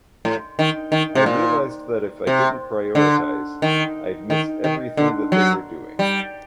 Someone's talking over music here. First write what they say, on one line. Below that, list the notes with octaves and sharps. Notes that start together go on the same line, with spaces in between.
I realized that if I didn't prioritize, I'd miss everything that they were doing.
A2
D#3
D#3
C3
A#2
C3
D3
D#3
D#3
D#3
D3
F#3
G3